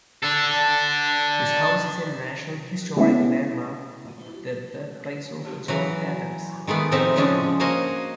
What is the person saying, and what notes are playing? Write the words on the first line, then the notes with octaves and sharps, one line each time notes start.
This house is a National Historic Landmark, the birthplace of John Adams.
D4 A4
G#3 A3 B3 C#4 E4
E3 F#3 F#4
D#3 G#3 A3 B3
A2 C3 F3 C4 D#4 E5
C#3 F3 G#3 C#4 D4
A#3 F#4 C5 D#5 F5 G#5